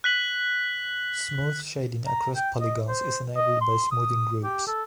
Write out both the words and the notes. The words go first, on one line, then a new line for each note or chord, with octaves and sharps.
Smooth shading across polygons is enabled by smoothing groups.
F#6 B6 F#7
A#5
G5
D#5
C5
D#5
C6
D#6
G4
A4